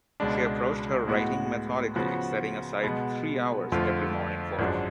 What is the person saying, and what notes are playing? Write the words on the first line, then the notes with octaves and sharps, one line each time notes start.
She approached her writing methodically, setting aside three hours every morning for it.
C#2 B2 G#3 D4
A2 G#3 B3 F#4
C#3 F3 B3 F#4
B2 G#3 B3
F2 D3 F3 A3 F4
G#1 F#2 F3 G#3 D4